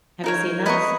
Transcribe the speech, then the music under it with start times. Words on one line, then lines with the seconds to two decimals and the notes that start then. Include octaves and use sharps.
Have you seen those?
0.24 D#4 A#4 C#5
0.66 B4 D#5 A#5 C#6